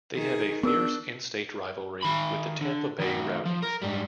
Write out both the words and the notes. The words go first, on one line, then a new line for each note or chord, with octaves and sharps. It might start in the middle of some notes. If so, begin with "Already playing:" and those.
They have a fierce in-state rivalry with the Tampa Bay Rowdies.
D#3 G#4
B3 D4 G#4 A#4 E6
D#3 B5
D3
D#3 F#4
F3
A#4
G#2 G3